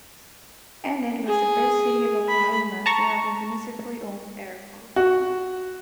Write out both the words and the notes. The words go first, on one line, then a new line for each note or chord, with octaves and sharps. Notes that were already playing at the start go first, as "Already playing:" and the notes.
Enid was the first city of Oklahoma to have a municipally owned airport.
G#4
B5
A5 A#5 C#6
F#4